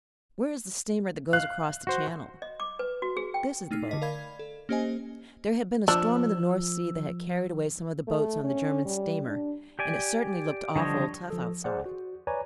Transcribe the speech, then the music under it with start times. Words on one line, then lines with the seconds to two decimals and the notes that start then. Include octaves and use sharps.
'Where is the steamer that goes across the Channel?' 'This is the boat.' There had been a storm in the North Sea that had carried away some of the boats on the German steamer, and it certainly looked awful tough outside.
1.33 F5 F#6
1.87 F#4 C5
2.42 D#5
2.60 D6
2.79 B4
3.02 F#4
3.17 G#4
3.34 G5
3.71 A3 D#4 F6 C7
3.89 D3 D#5 B6
4.02 A#4 D5 F5 B5 G#6
4.39 A4
4.69 A#3 C#4 G4 C5 D#5 G#5
5.88 F3 D4 E6
8.07 A3
8.44 C#4
8.85 G3
9.26 D4
9.79 G4 D5 G#5
10.76 D3 F3 G3 C#5 D#5
11.31 F3 A4
11.64 G#4 C5 D5 F#5
11.86 F#4
12.27 B4 C#5 D5 G#5 A#5